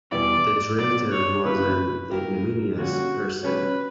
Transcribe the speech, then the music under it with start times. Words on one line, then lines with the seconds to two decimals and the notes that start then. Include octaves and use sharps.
The director was an ignominious person.
0.11 E2 B2 G3 B3 E4 D5
0.78 A#2 F#3 B3 D5
1.12 C#5
1.44 C#3 E3 A#3 E4 B4
2.10 A#3 E4 G4 A#4
2.77 D3 G3 A#3 C#4 F#4
3.43 G3 C#4 G4 B4 C#5